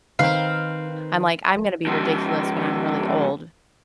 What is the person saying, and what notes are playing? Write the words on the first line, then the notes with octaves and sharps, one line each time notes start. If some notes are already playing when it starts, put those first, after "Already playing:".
I'm like, I'm gonna be ridiculous when I'm really old,
D#3 C4 D#4 B4 F5
G#2 F3